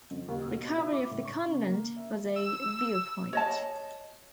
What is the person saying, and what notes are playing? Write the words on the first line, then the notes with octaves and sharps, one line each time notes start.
Recovery of the convent as a viewpoint.
F2
D#2
B2
E4
D6
A2
C#6
C#3
A#3
E5
E6
C#5 D#5 A5